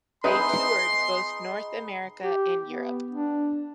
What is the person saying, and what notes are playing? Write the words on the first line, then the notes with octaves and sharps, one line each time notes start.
They toured both North America and Europe.
B3 D#4 G#4 B4 E5 B5 C6
G4
B3
D4